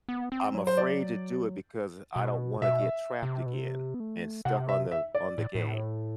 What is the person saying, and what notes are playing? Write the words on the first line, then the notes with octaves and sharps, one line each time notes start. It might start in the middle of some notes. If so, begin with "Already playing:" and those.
I'm afraid to do it because I don't wanna get trapped again and stuck on the on the game.
B3
C4
F#3
C5
D5
B2
B2 E5
C3
B2
C3
B3
A3
C3 F#5
E5
E5
D5
A2
A2